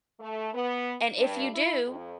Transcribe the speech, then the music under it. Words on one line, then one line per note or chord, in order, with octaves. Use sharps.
and if you do,
A3
B3
G2
E4
F2